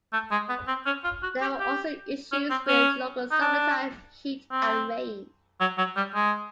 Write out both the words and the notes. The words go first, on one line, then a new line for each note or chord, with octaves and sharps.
There were also issues with local summertime heat and rain.
A3
G#3
B3
C4
C#4
F4
F#4
G4
G4
C#4
C4
C#4
D#4
D4
C4
F#3
F#3
G3
G#3